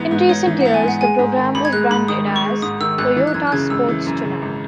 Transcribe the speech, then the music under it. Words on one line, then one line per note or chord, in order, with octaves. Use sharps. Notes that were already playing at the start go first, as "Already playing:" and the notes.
In recent years the program was branded as "Toyota Sports Tonight".
Already playing: G#2 E3 B3 D#4
G#2 B4
D#4 C#5
E3
F#5
B3
G#5
G#2 F#5
G#3 G#5
G#2
D#3
G#1 B5
G#6
G#3 F#6
G#2 B5
D#3 D#6
G#1
C#6
G#3
G#2 D#6
D#3 E6
G#1 F#6
E3
F#6
F#2 G#6
F#6
C#3 G#6
G#1 E6
E3
F#2
C#3
G#1